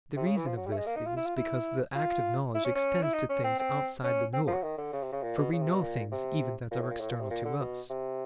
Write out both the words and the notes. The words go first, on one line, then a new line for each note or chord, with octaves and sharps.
The reason of this is, because the act of knowledge extends to things outside the knower: for we know things even that are external to us.
C3
C#3
E3
F3
F#3
G3
A3
G#3
A#3
D#4
F4
E4
F4
E4
F4
E4
C#4
C#4
E4
D#4
C#4
C4
C4
C#4
C4
F3
F#3
D#3
D3
C#3
C3
C#3
A#2
B2
C#3
C3
B2
A#2
C3
A#2
A2
A#2
A2
A#2
C3
A#2
D3
B2
C3